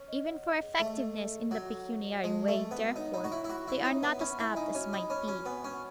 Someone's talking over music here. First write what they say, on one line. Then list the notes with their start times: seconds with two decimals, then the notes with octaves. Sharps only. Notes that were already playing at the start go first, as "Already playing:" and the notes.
Even for effectiveness in the pecuniary way, therefore, they are not as apt as might be.
Already playing: C#4 C#5
0.08 D#5
0.26 F#5
0.44 D#5
0.63 G#4
0.80 A3 G#4
0.98 G#4
1.15 G#4
1.34 G#4
1.51 F#3 F#4
1.70 A4
1.88 F#4
2.06 D#5
2.24 G#3 A5
2.42 A5
2.48 A3
2.60 D#5
2.71 B3
2.77 F#4
2.96 D#4 C#5
3.13 D#4 B5
3.24 F#4
3.31 E4 C#5
3.44 E4
3.49 F#4 B5
3.67 E4 E5
3.84 D#4 C#5
4.03 B3 C#5
4.20 C#4 B5
4.38 E4 B5
4.56 D#4 G#5
4.75 C#4 F#4
4.93 D#4 B5
5.10 C#4 B5
5.28 C#4 F#4
5.46 B3 G#5
5.64 C#4 C#5